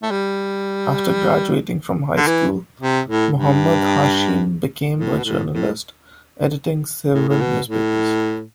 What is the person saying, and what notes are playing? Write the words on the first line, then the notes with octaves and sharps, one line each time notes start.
After graduating from high school, Mohammad Hashim became a journalist, editing several newspapers.
A3
G3
D3
E3
C3
A2
G2
A2
B2
A2
A2
A2
A2
B2
A2